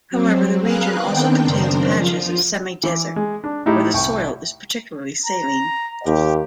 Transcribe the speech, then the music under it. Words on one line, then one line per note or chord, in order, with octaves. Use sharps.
However the region also contains patches of semi-desert where the soil is particularly saline.
F#3 C4
G#4 A#4 B4 F5 F#6
D#3 B3 C4 D4 G5
F#2 C#3 D4 A#4 C5
F3 F4
E3 D6
G#3
D4
A2 D#4 E4 G4
C2 G5 C#6
A#5
D#2 G4